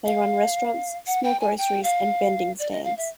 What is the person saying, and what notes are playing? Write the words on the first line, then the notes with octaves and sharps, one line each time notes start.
They run restaurants, small groceries and vending stands.
F5
F#5
G5
G#5
G5
F5
D5
D#5
F5
E5